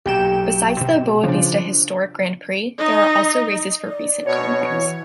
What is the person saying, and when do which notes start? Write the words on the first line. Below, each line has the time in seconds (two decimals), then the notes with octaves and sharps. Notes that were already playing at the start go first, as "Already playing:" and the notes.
Besides the Boavista Historic Grand Prix, there are also races for recent car models.
0.06 B1 A#2 F#3 G4 G5 E7
0.81 B2
1.24 C#3 F3 C4 D4
2.78 D#4 D#5
3.88 D5
4.26 B2 C#5
4.69 E3